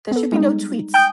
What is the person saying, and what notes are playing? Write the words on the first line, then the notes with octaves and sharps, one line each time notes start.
There should be no tweets.
B3 A4
G3 G#3 D#4
G5 G#5 D#6 G6